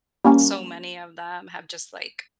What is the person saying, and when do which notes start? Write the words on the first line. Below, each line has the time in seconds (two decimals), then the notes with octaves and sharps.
so many of them have just, like
0.24 G3 A#3 C#4